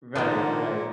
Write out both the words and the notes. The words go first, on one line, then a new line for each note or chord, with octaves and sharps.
Right. Right.
A#2 D3 D#3 F3 B3 D4